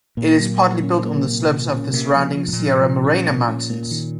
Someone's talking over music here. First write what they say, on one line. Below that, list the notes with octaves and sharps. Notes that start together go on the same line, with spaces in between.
It is partly built on the slopes of the surrounding Sierra Morena mountains.
A#2 A#3
F#3
F#3
C#4
A#3
C3
C3
C#4
C3 A#3
F3
F3
G#2
A#2
F3
F3
C#4
A#3
C#4
A#3
D#3